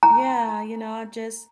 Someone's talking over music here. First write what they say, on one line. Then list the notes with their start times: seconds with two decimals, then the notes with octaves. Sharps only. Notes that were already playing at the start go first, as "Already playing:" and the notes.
Yeah, you know, I just
0.03 A#5